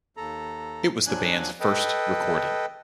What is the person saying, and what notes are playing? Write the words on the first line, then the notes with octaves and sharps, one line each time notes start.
It was the band's first recording.
D#2 A4 A#5
D#2 F3 F#3 D4 G#5 F#6
A4 B4 D#5 G5